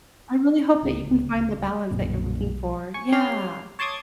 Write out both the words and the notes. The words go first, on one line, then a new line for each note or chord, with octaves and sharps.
I really hope that you can find the balance that you're looking for, yeah.
D1 C#2
B1 F#2 A#2 D3 G3
G#5 C#6
C#4 G4 F5 C6 F6
C#5 A5 C6 D6 D#6 G#6